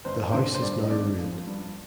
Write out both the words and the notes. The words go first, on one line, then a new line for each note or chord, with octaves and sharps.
The house is now ruined.
G1 C5
D3 C5
C5
G2 D5
D#5
G#1 D5
F3
G2